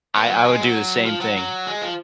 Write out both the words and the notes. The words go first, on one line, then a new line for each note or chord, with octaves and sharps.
I I would do the same thing.
B3
F3
F#3
G#3
F#3
F3
F#3
F#3
G#3
F3